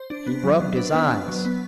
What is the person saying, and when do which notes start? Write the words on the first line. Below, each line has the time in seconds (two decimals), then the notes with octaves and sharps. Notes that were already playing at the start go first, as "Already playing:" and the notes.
He rubbed his eyes.
Already playing: C5
0.10 D4
0.27 B3
0.44 F#3
0.60 F#3
0.77 D4 B4
0.94 B3
1.11 F#3
1.28 F#3
1.45 B3